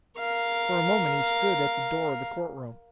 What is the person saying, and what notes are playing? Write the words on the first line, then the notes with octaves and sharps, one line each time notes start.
For a moment he stood at the door of the court-room.
A#4 F5